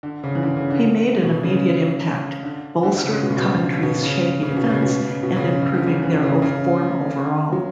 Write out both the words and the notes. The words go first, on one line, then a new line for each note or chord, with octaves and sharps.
He made an immediate impact, bolstering Coventry's shaky defence and improving their form overall.
D3
C#3
E3
D3
C#3
D3
B2
C#3
D3
D3
C#3
B2
C#3
B2
D3
B2
C#3
C#3
B2
C#3
B2
C#3
B2
C#3
B2
C#3
D3
C#3
E3
C#3
C#3
F#3